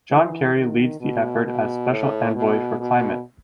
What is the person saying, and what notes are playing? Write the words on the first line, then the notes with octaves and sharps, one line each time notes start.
John Kerry leads the effort as Special Envoy for Climate.
E3
D#3
B2
B2
A2
B2
B2